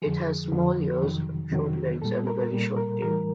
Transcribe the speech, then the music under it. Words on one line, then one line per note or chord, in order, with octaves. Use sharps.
It has small ears, short legs and a very short tail.
F2 D3 F3 G#4
F2 D3 F3
F2 C3 D#3 F#3
F2 C3 D#3 F#3
A#2 G3 A4
A#4
A#2 G3
A#4
A2 E3 G3 A#4